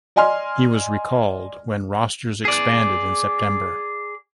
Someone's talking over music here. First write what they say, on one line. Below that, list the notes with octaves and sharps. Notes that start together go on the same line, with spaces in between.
He was recalled when rosters expanded in September.
D5 D#5 G#5 C6 F6
G#4 D5